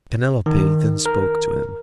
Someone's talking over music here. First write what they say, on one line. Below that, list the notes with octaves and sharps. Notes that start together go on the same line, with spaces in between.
Penelope then spoke to him.
D#3
A#4